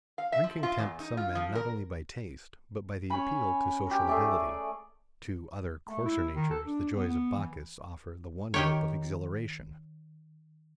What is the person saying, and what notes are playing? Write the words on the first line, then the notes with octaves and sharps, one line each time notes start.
Drinking tempts some men not only by taste, but by the appeal to sociability; to other coarser natures the joys of Bacchus offer the one hope of exhilaration.
F5
E5
F3
F4
E2
D#4
F4
F3
A#4
C#4 C#5 G#5 B5
G4 A#4
A3 G#4 D5 E5
A3
E4
D#3
A4
D4
B3
B3
E3
D#3 G4 C#5